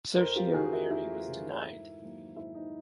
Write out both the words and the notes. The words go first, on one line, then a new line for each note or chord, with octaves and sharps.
Certiorari was denied.
F2 A#4 C5
F4 G4
C#3 E3 F#4 G#4
E4 F#4
F2 E4
C#3 E3
G#2
D#3 F#3 A#3
G#2 E4
D#4